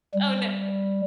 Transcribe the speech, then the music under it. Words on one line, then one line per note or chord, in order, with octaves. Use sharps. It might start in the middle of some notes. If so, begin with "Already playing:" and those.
Oh, no.
G3